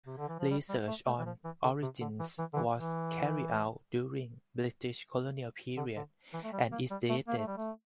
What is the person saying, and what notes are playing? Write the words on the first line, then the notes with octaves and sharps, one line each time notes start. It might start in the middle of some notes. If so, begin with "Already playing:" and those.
Research on origins was carried out during the British Colonial period and is dated.
C3
D3
E3
F3
G3
G3
A3
A3
E3
F3
E3
D3
C3
D3
E3
E3
D3
E3
E3
D3
D3
E3
A3
G3
A#3
G3
A3
A#3
A3
G3
A3